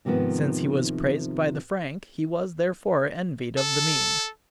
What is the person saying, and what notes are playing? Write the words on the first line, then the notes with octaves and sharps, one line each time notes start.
Since he was praised by the frank, he was therefore envied of the mean.
G#2 C3 D#3 F3 B3
A4